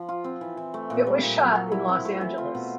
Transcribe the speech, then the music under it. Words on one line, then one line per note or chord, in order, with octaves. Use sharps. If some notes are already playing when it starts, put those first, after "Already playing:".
It was shot in Los Angeles.
Already playing: F3
F4
C4
E3
E3
A3
A#2
G3
A#2
F#3
F#3
E4
C4
A3
E3
F4
B2